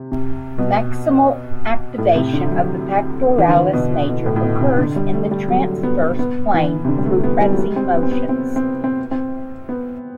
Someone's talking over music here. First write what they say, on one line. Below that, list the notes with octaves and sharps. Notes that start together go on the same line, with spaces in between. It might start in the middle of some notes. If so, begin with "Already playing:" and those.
Maximal activation of the pectoralis major occurs in the transverse plane through pressing motions.
Already playing: C3
C3
B2
A2
C3
D3
F#3
E3
D3
E3
B2
B2
A2
A2
B2
C3
D3
G3
A3
G3
F#3
B3
B3
E3
C3
D3
G3
A3
B3
G3
F#3
G3
C4
B3
C4
B3
C4
C4
C4
C4
B3